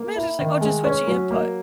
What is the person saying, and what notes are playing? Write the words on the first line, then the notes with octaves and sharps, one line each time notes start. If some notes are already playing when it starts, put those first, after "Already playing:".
mine's just like, "Oh, just switch the input,"
Already playing: A#3
E4
D#3
G#3
C#4
F#3
A#3